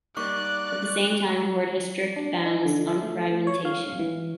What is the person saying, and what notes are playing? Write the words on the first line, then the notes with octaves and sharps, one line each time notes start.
At the same time, Hoard has strict bounds on fragmentation.
G3 A#3 D#4 D5 C#6 D6 F#6
D4
D#4
D3
E5
A3
C#5
F5
E3